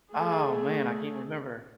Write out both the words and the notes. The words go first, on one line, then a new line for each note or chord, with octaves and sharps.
Oh, man. I can't remember
A3 G#4